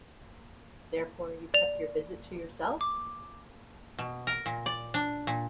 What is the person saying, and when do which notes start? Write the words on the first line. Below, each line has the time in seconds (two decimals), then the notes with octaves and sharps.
Therefore you kept your visit to yourself?
1.54 D5 F7
2.81 D6
3.99 B2
4.27 A#4
4.46 A#2
4.66 D5
4.94 D4
5.27 A#2